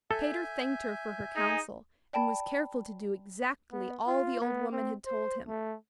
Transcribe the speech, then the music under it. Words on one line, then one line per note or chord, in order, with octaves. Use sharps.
Peter thanked her for her counsel, and was careful to do exactly all the old woman had told him.
A4 E5 G#5 G6
D#4 G#4
D5 G5 A5 B5
B3
F4
B3
C4
C5
A3